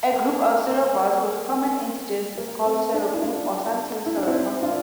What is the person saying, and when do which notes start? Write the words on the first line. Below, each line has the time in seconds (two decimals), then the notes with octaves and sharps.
A group of serovars with common antigens is called a serogroup or sometimes "serocomplex".
0.13 A#3
0.69 A#3
2.38 A#3
2.65 A3 C4
2.93 A#3 D4
3.14 E4
3.21 D4 F4
4.06 E4
4.17 D4
4.26 C4 E4
4.62 D4 F4